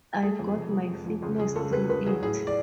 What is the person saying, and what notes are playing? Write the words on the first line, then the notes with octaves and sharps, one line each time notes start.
I got my fitness through it.
A3 G#4
F2
F1
F3
F2
F3
C#2 G#4
C#2 G#4
C#2 A4
C#2 B4
C#2 B4
F#3 G#4
A2 G#4
D5